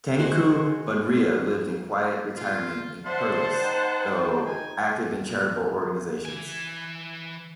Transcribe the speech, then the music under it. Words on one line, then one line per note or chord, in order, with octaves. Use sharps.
Tengku Budriah lived in quiet retirement in Perlis, though active in charitable organisations.
G#3 F#4 C5
F4
C5 D5 E5 F#5 A5 C6
D#4 G5
G#5
E3 G#5